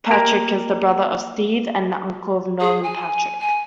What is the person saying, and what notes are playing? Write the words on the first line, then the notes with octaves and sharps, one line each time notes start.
Patrick is the brother of Steve and the uncle of Nolan Patrick.
A#3 G4 A#4
G#4
G#5
G#5